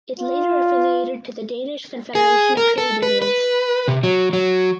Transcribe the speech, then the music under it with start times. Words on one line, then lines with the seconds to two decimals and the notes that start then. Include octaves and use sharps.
It later affiliated to the Danish Confederation of Trade Unions.
0.19 F4
2.15 G#4
2.57 A#4
2.78 A4
3.02 B4
3.22 B4
3.88 C3
4.04 F#3
4.33 F#3